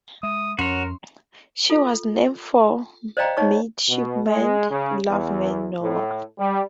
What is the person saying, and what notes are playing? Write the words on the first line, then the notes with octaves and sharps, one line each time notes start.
She was named for Midshipman Loveman Noa.
G#3 E5 D#6
F2 C#4 F#4 A#4 C#5 C6
F4 A4
C5 D5 D#5 F5 G5 A#5
D#4 C#5 D#5 C#6
B2
G#3
C#3
E2
A2
G3